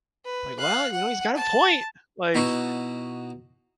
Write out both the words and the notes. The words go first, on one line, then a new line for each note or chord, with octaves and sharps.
like, "well, you know, he's got a point, like"
B4
F5 F#6
F#5
A5
B2 D#4 E4 F#4